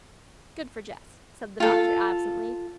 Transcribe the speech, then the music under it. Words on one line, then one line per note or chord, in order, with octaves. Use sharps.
"Good for Jess," said the doctor absently.
F4 A4